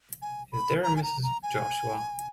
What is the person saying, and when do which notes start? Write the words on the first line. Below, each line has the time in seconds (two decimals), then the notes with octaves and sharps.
Is there a Mrs. Joshua?
0.22 G#5
0.52 B5
0.83 A#5
0.96 G#5
1.03 A#5
1.23 A#5
1.43 G#5